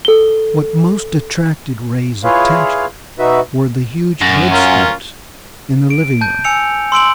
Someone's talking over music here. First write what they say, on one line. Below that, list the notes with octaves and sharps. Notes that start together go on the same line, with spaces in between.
What most attracted Ray's attention were the huge bedsteads in the living-room.
A4 G7
E4 F4 G#4 B4 C#5 F5
B2 D#4 F#4 B4 E5
F#2
C#4 F4 A#4
D7
A5 G6
G#5 E6 C#7 F7
C6 E6 D7 F#7